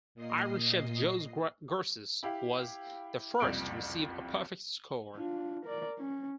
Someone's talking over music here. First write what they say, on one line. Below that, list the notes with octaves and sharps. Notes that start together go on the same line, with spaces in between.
Iron Chef Jose Garces was the first to receive a perfect score.
A#2 D#5 C7
E4 G4 F5
F#1 C2 F2 G3 F4 D7
D4 F4
A#4 D5
C#4